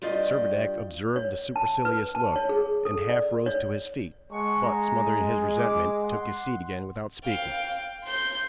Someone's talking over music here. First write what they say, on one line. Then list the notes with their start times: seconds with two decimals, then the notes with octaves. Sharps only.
Servadac observed the supercilious look, and half rose to his feet, but, smothering his resentment, took his seat again without speaking.
0.02 G2 G3 F4 D5 D#5
1.16 C#5
1.56 A5
1.85 B4
2.15 A5
2.36 C#5
2.49 G#4
2.85 A4
3.09 D5
3.46 C#5
4.32 G#3 F#5 A5 C#6
4.63 A#5
5.58 D6
6.02 F#5 C6
7.24 F5 G5
8.04 C6 G6